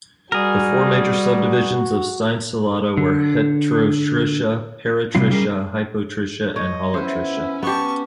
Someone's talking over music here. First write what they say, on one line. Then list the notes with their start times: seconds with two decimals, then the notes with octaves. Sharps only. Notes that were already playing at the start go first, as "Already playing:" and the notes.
The four major subdivisions of Stein's Ciliata were: Heterotricha, Peritricha, Hypotricha and Holotricha.
0.32 G3 F#4 G#4 A#4
2.97 D3
5.15 C3 F#3 G3 C4 F4
5.31 G3 C#4 G#4 A#4
6.56 C#5 D#5
6.94 B3 C#4 E4 C5
7.63 B3 G4 A5 C#6